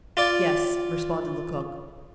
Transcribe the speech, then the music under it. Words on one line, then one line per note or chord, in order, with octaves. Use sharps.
"Yes," responded Lecoq.
F4 D5